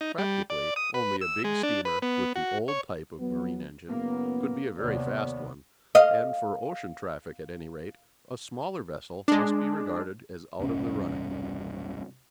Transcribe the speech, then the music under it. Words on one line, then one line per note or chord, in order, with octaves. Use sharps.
Practically, only a big steamer, with the old type of marine-engine, could be a very fast one, and, for ocean traffic at any rate, a smaller vessel must be regarded as out of the running.
D#4
G3
D5
D#6
B4
E6
G#3
D4
B4
B3
F#4
C#5
F#3 B3
F#1 C#3 A#3 B3
D#2 C3 B3 C#5 D5
D#5 F5
G#3 D4
E1 C2 G2 C#4